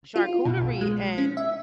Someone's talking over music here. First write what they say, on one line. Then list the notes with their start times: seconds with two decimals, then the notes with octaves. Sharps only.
charcuterie and,
0.16 F4
0.45 B2
0.60 B1
0.81 G#3
1.18 C#4
1.37 E5